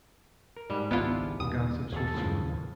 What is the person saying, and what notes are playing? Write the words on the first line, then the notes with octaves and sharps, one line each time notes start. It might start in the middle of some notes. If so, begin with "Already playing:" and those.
The gossips were soon at work.
A#4
G#2 G3
G#1 C#2 B3 D4 E4 F4
D#2 C#3 G3 D#6
D#2 G#4 A4
A2 C#3 F3